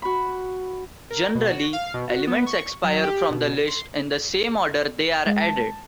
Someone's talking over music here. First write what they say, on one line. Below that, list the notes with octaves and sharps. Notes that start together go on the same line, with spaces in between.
Generally, elements expire from the list in the same order they are added.
F#4 B5
A#4
B2
F#4
F5
B2
F#4
B3
C#6
F#3
G4
B2
C6
G#3
A5